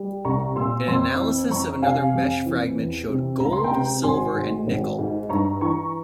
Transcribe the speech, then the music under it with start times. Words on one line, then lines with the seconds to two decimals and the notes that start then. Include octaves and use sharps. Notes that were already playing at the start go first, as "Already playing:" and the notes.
An analysis of another mesh fragment showed gold, silver, and nickel.
Already playing: G3
0.25 C2 A#5 C#6
0.56 A#2 C6 E6
0.87 F2 C6 E6
1.20 E3
1.50 F2 A#5 C#6
1.82 C3 F5 G#5
2.14 F2
2.46 E3
2.77 E2
3.09 C3
3.40 C#2 A#5
3.52 C6
3.64 G5 A#5
3.71 C3
4.03 G#1 G#5 C6
4.35 G#2
4.67 G#1
4.99 G#2
5.29 G2 A#5 C#6
5.61 E3 A#5 C#6